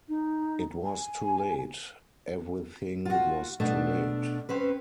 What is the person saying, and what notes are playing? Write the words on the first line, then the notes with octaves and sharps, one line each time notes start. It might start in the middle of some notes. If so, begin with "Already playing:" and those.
It was too late — everything was too late.
D#4
G#5
F4 F#4
B2 A3 D4
C4 C#4 B4